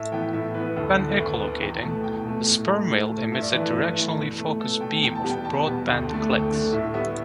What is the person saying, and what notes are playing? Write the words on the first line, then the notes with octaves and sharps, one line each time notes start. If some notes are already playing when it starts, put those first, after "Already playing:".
When echo-locating, the sperm whale emits a directionally focused beam of broadband clicks.
Already playing: A2 E5
E3 B3 G5
A2 E5
E3 B3 B4
D2 A4
D3 B3
D2 B4
D3 B3
E2 G5
B2 A3 A5
E2 G5
B2 A3
A2
A3
A2
A3
G2 E5
D5
E3 A3 B4
B4
G2
E3 A3
B2
A3
B2 A4
A3 G5
E2 G5
A5
B2 G3 B3
G5
E2 A5
B2 G3 B3
D2 G5
D3 A3 A5
D2 G5
D3 A3
A2 E5
G3 B3 E5